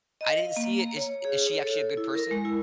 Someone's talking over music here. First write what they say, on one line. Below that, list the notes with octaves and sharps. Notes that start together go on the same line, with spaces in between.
I didn't see it. Is is she actually a good person?
D#5
F5
A#3
A#5
C#5
G#4
C#5
A4
E4
A#4
G#3
E4